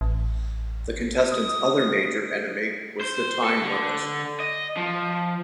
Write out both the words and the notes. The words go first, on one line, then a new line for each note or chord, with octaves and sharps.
The contestants' other major enemy was the time limit.
A1
D#6
C5
A4
D3
D#5
F3